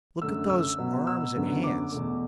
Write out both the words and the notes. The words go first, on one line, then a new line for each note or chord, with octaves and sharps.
Look at those arms and hands!
F#2 D3 A3 E6
E6
B2 F#3 B3
E6
F#2 D3 F#3 B3
D6
E2 B2 A3